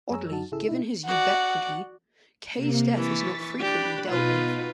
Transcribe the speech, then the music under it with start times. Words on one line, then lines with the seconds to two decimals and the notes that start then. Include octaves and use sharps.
Oddly, given his ubiquity, Kay's death is not frequently dealt with.
0.10 F#2 G#4 C#5 G#5 A#5 E6
0.31 F#2 D#4 F#4 A5
0.52 G#1 C#3 E4 G#4 A4 E6
0.69 B2 D#4 E4
1.07 F#4 D5 F#5
2.55 C3 A#3
2.95 E3 C#6 A6 B6
3.60 D4 G4 D5 B5 F#6
4.08 B2 D#4 F4 B4